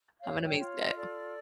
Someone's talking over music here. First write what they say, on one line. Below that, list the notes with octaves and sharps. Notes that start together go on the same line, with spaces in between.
Have an amazing day.
C#5 F5
G5
F4
D#5
A4 D5